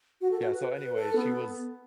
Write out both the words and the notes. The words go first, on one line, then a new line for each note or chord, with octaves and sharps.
Yeah, so anyway, she was
F#4
A4
F#4
B4
B4
A4
B3